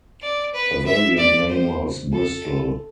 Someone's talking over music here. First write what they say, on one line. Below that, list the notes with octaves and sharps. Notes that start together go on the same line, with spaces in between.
A variant name was "Bristol".
D5
B4
E5
D5
C5
A4